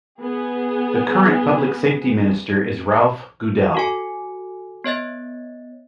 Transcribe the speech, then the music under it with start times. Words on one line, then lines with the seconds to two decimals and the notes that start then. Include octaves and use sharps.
The current public safety minister is Ralph Goodale.
0.19 B3 G#4
3.75 F#4 A4 G#5
4.84 B3 C#5 D#5 A6